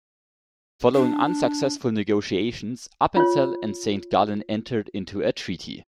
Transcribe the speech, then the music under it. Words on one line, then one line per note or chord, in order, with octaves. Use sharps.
Following unsuccessful negotiations Appenzell and Saint Gallen entered into a treaty.
D4
F4 C#5